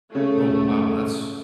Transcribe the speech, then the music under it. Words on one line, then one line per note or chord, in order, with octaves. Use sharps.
Oh, wow. That's
C#3 A3